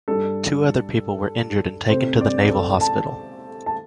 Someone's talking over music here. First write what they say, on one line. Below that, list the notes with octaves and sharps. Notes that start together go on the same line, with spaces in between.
Two other people were injured and taken to the naval hospital.
G2 G3 D4 A4
C3 A3 C4 C5
D5
A4
A5
A5